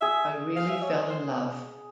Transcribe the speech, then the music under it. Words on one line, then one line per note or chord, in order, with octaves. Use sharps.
I really fell in love.
G#4 E5
F5
E5
C#5
C5